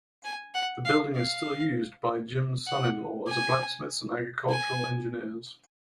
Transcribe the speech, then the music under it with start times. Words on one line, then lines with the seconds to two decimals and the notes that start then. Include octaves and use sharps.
The building is still used by Jims son-in-law as a blacksmiths and agricultural engineers.
0.25 G#5
0.55 F#5
0.85 F5
1.16 F5
2.67 F#5
3.28 G#5
4.49 G#5